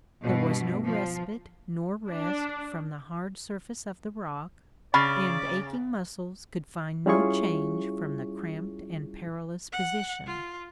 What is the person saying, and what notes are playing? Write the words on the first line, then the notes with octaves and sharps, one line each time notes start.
There was no respite nor rest from the hard surface of the rock, and aching muscles could find no change from the cramped and perilous position.
G2 B2
F3
D4
C#3 D5 B5
G3 C#4 E4 F4 G#4 C#6
F#5
F4